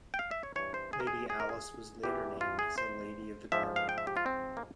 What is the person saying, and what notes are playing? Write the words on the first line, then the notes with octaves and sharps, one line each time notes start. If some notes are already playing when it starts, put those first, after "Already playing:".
Lady Alice was later named as a Lady of the Garter.
G5
F5
E5
C#5
G2 E3 C#5
C5
G#4
A#4
G#4
G#4
A#4
G#4
E2 E3 G4
F4
G#4
C5
G#2 F3 E5
F5
G5
E5
G4
F4
C4
A#3